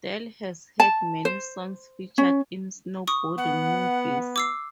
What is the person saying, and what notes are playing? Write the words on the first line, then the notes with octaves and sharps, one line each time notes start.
Del has had many songs featured in snowboarding movies.
A5
C5
C#4
C#6 D#6
B3 F#5
D6 E6 C7